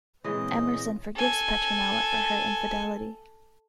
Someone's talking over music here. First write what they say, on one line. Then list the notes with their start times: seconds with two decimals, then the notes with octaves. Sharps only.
Emerson forgives Petronella for her infidelity.
0.24 A#2 C#3 E3 G#3 C4 D#5
1.16 A4 G#5